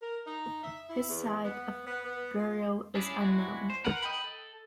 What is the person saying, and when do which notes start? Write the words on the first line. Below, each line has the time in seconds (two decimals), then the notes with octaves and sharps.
His site of burial is unknown.
0.02 A#4
0.26 D#4
0.64 E5
0.89 E4
1.10 E2
1.44 B3
1.87 B3
2.04 B3
2.38 F4
2.95 C#4 D4 E4 G#4 D5
3.20 G3 G#3 E4 F#4
3.70 C5
3.85 A#4 B4 F#5
4.03 D#5 G5 B5
4.24 A4